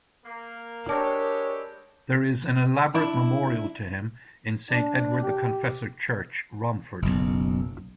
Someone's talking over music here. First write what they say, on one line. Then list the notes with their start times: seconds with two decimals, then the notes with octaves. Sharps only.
There is an elaborate memorial to him in Saint Edward the Confessor Church, Romford.
0.24 A#3
0.89 G#3 D4 E4 G4 A#4 C#5
2.95 D4 E4
4.71 D4
5.23 G4
7.02 F#1 B1